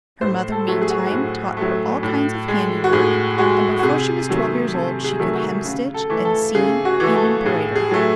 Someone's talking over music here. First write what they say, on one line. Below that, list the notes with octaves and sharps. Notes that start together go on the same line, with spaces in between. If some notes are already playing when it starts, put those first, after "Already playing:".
Her mother, meantime, taught her all kinds of handiwork, and before she was twelve years old she could hemstitch, and seam and embroider.
A2 C5
A4
F#3 A3
G#4
F#4
F#4
A2
F#3 A3
A2
G#3
F#4
A2 G#4
G#3 F#4
F#4
C3 G#4
D#3 F#3 A3
C3 A4
G#4
D#3 F#3 A3
F#4
C#3
A4
E3 A3
A4
C#3 G#4
F#4
E3 A3
A4
A2 G#4
G#4
F#3 A3